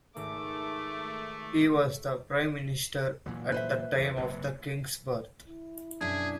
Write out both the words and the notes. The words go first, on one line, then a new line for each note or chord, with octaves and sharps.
He was Prime Minister at the time of the King's birth.
G#1 A3 D6
A#2 E3 F#3
B4 C5 E5
F2 E3
F#1 G#2 C3
E4
F#2 B2 D4 G#4 E5